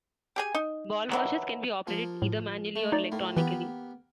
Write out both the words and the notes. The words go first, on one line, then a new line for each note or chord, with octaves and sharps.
Ball washers can be operated either manually or electronically.
G4 G#4 G#5
D#4
D#3 E3 F#3
F3 A#3
A2
A3
D#4 D5
A2 A#3
E3 A#3 B3 G4